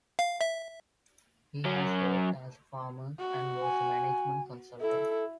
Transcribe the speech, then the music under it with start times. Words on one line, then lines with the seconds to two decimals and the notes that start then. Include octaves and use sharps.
He has worked as a farmer, and was a management consultant.
0.19 F5
0.41 E5
1.65 F#3 C#4
3.19 F#4
3.62 G#5
4.81 E4 A4